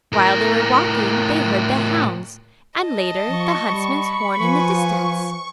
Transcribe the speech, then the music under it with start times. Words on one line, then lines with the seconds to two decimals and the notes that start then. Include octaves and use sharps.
While they were walking they heard the hounds and later the huntsman's horn in the distance.
0.12 A2 A#4
2.79 D#5 A5
3.28 F3 C#6
3.69 G3 B5
4.39 F3 B4 G#5